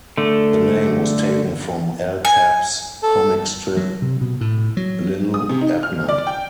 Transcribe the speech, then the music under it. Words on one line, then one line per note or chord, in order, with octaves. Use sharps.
The name was taken from Al Capp's comic strip Li'l Abner.
D3 A3
G#5
A4
F#3
C3
B2
A2
F#3
D#6
C3
D#4
F6
D5
G5